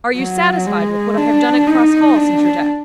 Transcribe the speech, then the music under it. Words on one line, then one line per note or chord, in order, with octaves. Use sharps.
"Are you satisfied with what I have done at Cross Hall since your death?"
F#3
G#3
D4
D#4
D4